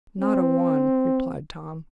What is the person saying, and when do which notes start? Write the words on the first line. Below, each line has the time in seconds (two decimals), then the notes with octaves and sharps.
"Not a one," replied Tom.
0.21 C4